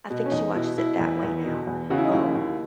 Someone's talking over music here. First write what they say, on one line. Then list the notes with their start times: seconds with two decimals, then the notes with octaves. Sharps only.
I think she watches it that way now, um,
0.10 B2
0.25 C#4
0.32 E2 D#4
0.55 B2 E4
0.77 B2 E4
0.99 E2
1.23 E2
1.46 B2
1.67 E2
1.90 C#3 F#4
1.98 E4
2.04 D#4
2.12 D#2 E4
2.35 D#2